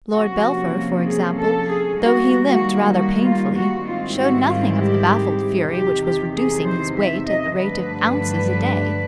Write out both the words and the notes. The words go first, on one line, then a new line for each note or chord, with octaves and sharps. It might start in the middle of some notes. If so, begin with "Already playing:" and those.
Lord Belpher, for example, though he limped rather painfully, showed nothing of the baffled fury which was reducing his weight at the rate of ounces a day.
C3 F3 A#3 C#4 F#4
G#4
A4
G#4
D#3 G3 A#3 F#4
F#4
F#4
F4
F#4
G#2 D#3 G3 C4 E4 F4
F#4
F4
G4
E2 C3 D#3 G4
G4
G#4
C5
E5
D#5
G2 D3 F3 A3 D4 B4